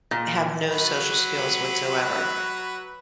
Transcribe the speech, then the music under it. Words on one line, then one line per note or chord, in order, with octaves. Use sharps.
have no social skills whatsoever,
A#2
F#3 F#4 B4